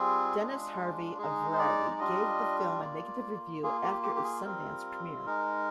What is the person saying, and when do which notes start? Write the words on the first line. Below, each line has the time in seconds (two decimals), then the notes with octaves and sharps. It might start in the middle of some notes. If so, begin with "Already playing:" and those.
Dennis Harvey of "Variety" gave the film a negative review after its Sundance premiere.
Already playing: G3 C4 F4 G#4
0.36 G#3 D4 F4
1.18 G#3 D#4 G#4
1.53 C5
1.59 D5
1.91 D5
1.99 G3 D4 F4 D#5
2.80 A#3 F4 D5
3.62 A#3 F4 G#4
3.83 G4
4.04 G4
4.16 G4
4.24 G#4
4.44 G3 C4 F4 A#4
5.26 G#3 D#4 A#4